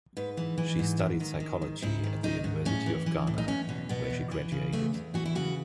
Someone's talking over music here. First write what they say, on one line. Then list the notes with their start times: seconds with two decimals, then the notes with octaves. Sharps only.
She studied Psychology at the University of Ghana where she graduated.
0.17 G#2 B4
0.37 E3
0.58 E3
0.79 G#2
0.99 G#2
1.20 D#3
1.40 D#3
1.62 G#2
1.82 G#2 E4
2.04 D#3
2.23 D#3 D#4
2.44 G#2
2.65 A2 C#4
2.86 E3
3.06 E3
3.27 A2
3.38 D#4
3.48 E2 C#4
3.69 B2
3.89 B2 B3
4.10 E2
4.31 E3
4.52 C#3
4.73 E2 A3
4.94 E2
5.14 E3 F#4
5.25 E4
5.35 C#3 F#4